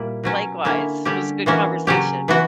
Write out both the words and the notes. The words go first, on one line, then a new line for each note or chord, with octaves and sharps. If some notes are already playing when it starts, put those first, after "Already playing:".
Likewise. It was a good conversation.
Already playing: A#2 G3 A#3 E4
B2 F#3 C#4
D3 A#3 C#4 E4
D3 G3 C#4 G4
E3 A#3 C#4 F#4
C#3 F#3 C#4 G4
E3 B3 F#4